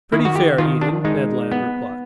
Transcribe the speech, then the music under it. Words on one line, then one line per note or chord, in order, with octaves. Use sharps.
"Pretty fair eating," Ned Land replied.
D#3 E4
F#4
G4
D#3 F4
D4
G#3 D#4
B3